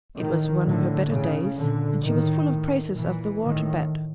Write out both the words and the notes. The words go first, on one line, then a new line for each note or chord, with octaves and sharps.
It was one of her better days, and she was full of praises of the water-bed.
A2 D#3
A2 D3
A2 C#3
A#2 D3
A2 D#3
A2
A#2 E3
A2 D#3